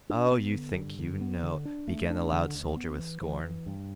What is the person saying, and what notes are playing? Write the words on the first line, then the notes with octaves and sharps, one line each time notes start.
"Oh, you think you know--" began the loud soldier with scorn.
D4
B3
D3
G2
D3
B3
D3
D4
A3
D4
D3
D2
B3
E3
E3
E3
G2